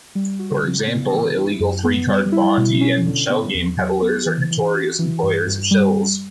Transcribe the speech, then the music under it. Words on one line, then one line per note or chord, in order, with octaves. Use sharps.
For example, illegal three-card monte and shell-game peddlers are notorious employers of shills.
G3
F#4
C#3
B3
E3
E4
F#2
B3
G3
E4
B2
C#4
D3
B3
E2
F#3
B3
E3
E3
F#4
E3
G2
G2
G3